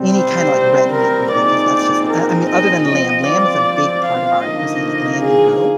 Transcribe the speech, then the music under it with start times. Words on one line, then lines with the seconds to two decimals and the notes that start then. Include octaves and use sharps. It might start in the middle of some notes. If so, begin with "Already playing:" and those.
Any kinda, like, red meat really, 'cause that's just I I mean, other than lamb lamb is a big part of our cuisine, like, lamb and goat.
Already playing: C3 G3 C4
0.15 C5
0.93 A#4
1.32 A#2 G#3 C4 D#4 D5
2.10 A#4
2.50 D#5
2.89 F3 C4 F4 D#5
3.28 D5
4.06 F5
4.44 D3 F3 A#3 D#4 D#5
5.22 G#4